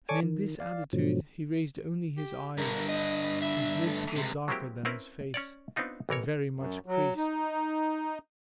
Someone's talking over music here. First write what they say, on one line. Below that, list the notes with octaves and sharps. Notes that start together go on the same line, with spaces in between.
And in this attitude he raised only his eyes, whose lids were darker than his face and very much creased.
A4 C#5 D5 G#5 C#6 D6
D#3
D5 F5
G#2 B2 D3 F3 F#3
G4
G2 D3 A#4
D#5
E5
A3
C#2 C3
F#3 G#3 A#3 C4 E4 G4
C4 C#4 E4 A#4 B4
C#4 C#5 D5
B3 C4 D4 D#4 F4
A1 E3 A#4 C#5
F#2
F#3
D#4